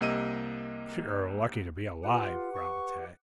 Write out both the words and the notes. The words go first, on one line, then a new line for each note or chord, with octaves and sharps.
"You're lucky to be alive," growled Tad.
C2 C3 A#3 D#5 E6 D#7
F4 G4 B4 F#5
C#6